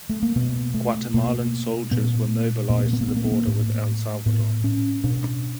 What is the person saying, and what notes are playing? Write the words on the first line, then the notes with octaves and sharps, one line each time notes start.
Guatemalan soldiers were mobilized to the border with El Salvador.
A3
A#3
B2 B3
A3
B2 A#3
A#2 B3
A#2 A#3
B3
A#3
B3
A#3
B3
A#3
B3
A#3
A2
A2 B3
C#4
B2 D4